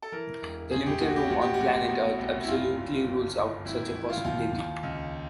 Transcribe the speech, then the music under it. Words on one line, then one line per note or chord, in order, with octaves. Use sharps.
The limited room on planet Earth absolutely rules out such a possibility.
A4
E3 A#4
E1
A#1 G#4
G4
A#1 F#4
G4
A1 F#4
G4
F#4
A1
B2
C2
E4
F#1 F4
F#1
G1
G1
G#1 E4
E4
G#1 E4
F4
D#2 F4
D#2
C#2